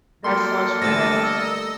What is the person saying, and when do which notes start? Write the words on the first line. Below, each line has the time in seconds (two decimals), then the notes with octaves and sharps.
That's so true.
0.24 F#3 A#3 A4 A#4 C6
0.82 D3 G3 A3 E6 A6 A#6
1.24 D#5 E6